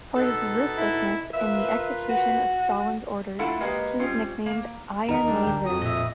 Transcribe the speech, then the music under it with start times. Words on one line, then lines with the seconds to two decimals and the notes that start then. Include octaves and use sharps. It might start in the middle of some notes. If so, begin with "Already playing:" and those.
For his ruthlessness in the execution of Stalin's orders, he was nicknamed "Iron Lazar".
0.16 B2 D#4 A4
0.77 E4
1.33 F4 A#4 B4 E5
2.09 F#4
3.39 A3 D4 E4 F4 A4 F#5
3.60 G#3 A#3 F#4 G4 B4 D#5
3.99 G3 G#3 C4 C#4 F4
4.46 A#3
5.08 D#2 D#4 A#4 D#5
5.26 G3 D4
5.43 D2 G5
5.66 F2 F#4 D#6
5.81 A#2 D#5 E5